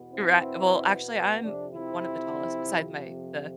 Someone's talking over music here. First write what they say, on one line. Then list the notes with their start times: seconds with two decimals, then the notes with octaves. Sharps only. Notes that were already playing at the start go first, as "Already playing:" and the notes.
Righ well, actually, I'm m one of the tallest besides my the
Already playing: E2 B2 B3
0.12 C4 E4
1.42 F2 C3 F3 D4
1.74 C4 E4